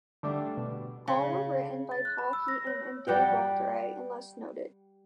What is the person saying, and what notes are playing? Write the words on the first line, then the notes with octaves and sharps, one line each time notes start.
All were written by Paul Heaton and Dave Rotheray unless noted.
D3 G3 A3 D4
B2
C#3
A6
F#6
B5
E6
A#6
C#5
G3 G4 F#5 G5